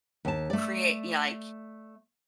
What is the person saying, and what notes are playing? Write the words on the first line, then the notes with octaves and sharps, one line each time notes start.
create you know, like,
D#2 A5
A3 D5